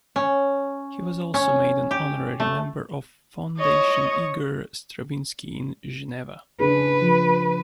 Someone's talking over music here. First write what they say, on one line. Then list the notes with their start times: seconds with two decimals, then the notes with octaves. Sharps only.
He was also made an honorary member of Fondation Igor Stravinsky in Geneva.
0.16 C#4
1.34 C#4
1.91 G4
2.40 A3
3.58 C#5 D#5
6.60 C#3 D4 G#4 B4
7.02 F3